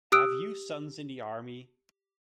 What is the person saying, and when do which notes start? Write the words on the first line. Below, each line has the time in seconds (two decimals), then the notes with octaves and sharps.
Have you sons in the army?
0.12 G4 D#6 E6 F#6 D7